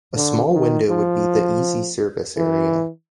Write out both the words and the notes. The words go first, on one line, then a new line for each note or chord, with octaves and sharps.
A small window would be the easy service area.
D3
D#3
F3
E3